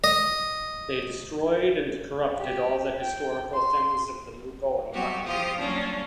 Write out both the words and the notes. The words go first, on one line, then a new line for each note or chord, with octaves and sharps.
They destroyed and corrupted all the historical things of the Mughal Empire.
D#5
G4
G5
C6
F#3 G3 B3 C4 F#4 G4
E2 F3 G4 F5 D#6
F#3 G3 A#3 C#4 D4 F4